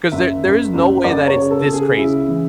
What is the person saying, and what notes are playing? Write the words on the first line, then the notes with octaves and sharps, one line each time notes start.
'cause there there is no way that it's this crazy."
F#1 E5
F#1
F#1
F#1 D5
C#5
C#3
A4
C#3
G#4
C#3 E4
E3